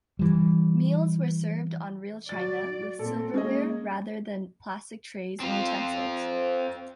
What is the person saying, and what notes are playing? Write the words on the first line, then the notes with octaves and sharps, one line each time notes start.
Meals were served on real china, with silverware, rather than plastic trays and utensils.
E3 G3
F#3 D5 A6
A#2 C4 A4
G#3 A#3 C#4 G#4 D#5
C4 F4